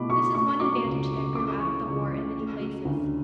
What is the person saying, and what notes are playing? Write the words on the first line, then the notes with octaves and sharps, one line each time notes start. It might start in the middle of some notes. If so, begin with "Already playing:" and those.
This is one advantage that grew out of the war in many places.
Already playing: B2 A3 E4 B5 D6
F#3 C#6
A3 C#6
F#3 D6
C#2
C#3
C#2 D6
D6
E3 C#6
C#2
C#3
A3
F#3
D2